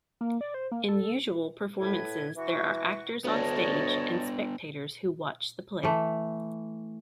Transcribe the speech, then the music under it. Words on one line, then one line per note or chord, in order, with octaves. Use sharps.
In usual performances there are actors on stage and spectators who watch the play.
A#3
D5
C5
A#3
A4
A2 B4 G#6
E3 F#4 C#6
D2 B3 D4 C#5 D#5 A5
E3 A3